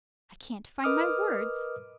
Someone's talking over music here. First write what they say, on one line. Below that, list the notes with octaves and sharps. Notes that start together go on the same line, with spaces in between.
I can't find my words.
A#4 B4 D#5 D6 D#6 F6